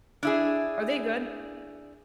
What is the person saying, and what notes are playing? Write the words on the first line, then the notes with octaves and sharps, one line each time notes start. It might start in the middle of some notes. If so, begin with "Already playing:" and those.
Are they good?
D4 E4 G#4